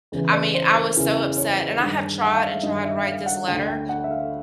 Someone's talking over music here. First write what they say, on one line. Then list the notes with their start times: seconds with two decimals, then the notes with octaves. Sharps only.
I mean, I was so upset, and I have tried and tried to write this letter,
0.12 E2 C#3 E3
0.33 D5
0.54 C5
0.75 A#4
0.96 E2 C#3 E3
1.37 C#5
1.79 G2 D#3
2.22 F#5
2.36 F5
2.50 E5
2.63 G2 D#3 D#5
2.85 E5
3.05 F5
3.26 F#5
3.47 D2 D3 G5
3.68 G5
3.89 F#5
4.04 E5
4.11 F5